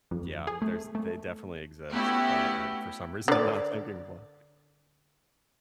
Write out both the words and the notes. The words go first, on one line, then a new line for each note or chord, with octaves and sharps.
Yeah, there's they definitely exist, but I for some reason, I'm not thinking of one.
F2
G#4
A3
A3
A3 B3 C#4 E4 F#4 G4
D3 D5